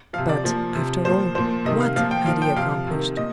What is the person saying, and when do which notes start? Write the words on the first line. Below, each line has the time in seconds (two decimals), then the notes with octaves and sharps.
But, after all, what had he accomplished?
0.13 F3 F5
0.18 C3
0.29 D5
0.44 A#2 F3
0.75 C3 F3
1.04 A#2 F3 C5
1.35 A#2 F3 C5
1.65 C3 D#3 D#5
1.81 F5
1.96 A#2 F3 F5
2.11 G5
2.26 A#2 F3 F5
2.42 G5
2.56 C3 F3 F5
2.87 C3 D#3
3.17 A#2 D#5